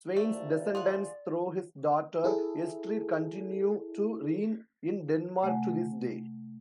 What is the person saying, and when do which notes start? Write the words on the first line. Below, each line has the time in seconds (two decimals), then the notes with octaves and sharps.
Sweyn's descendants through his daughter Estrid continue to reign in Denmark to this day.
0.16 A#1 D#2 A3 E4 D5
0.75 F4 G#4 F#5
2.24 E4 G#4 A4
5.42 C3 A3 F#5 G#5